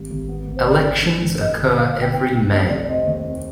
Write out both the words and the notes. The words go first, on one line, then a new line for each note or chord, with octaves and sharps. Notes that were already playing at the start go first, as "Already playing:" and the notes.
Elections occur every May.
Already playing: G#1 G3
G#1
B3
G#1
C5
F1 D5
F1
D4
G#2
B3 D#5
G1
G1 F5
F5
G1
G5
D#4 G5
C2
F1 D#5
F1 D5
D5
C4 D#5
D#2
C4